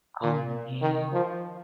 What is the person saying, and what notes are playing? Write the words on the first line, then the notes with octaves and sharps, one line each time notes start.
Oh, man.
A#2
D#3
F3